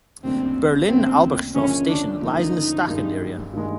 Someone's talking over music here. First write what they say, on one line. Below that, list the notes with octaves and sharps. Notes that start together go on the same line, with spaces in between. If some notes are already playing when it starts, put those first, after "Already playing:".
Berlin-Albrechtshof station also lies in the Staaken area.
D#2 C#3 F#3 A3 C4 D4
D#2 C#3 F#3 A3 C4 D4
F#2 D3 F3 G#3 C#4
D4
F#2 D3 F3 G#3 D#4
G2 D#3 G#3
G2 D#3 G#3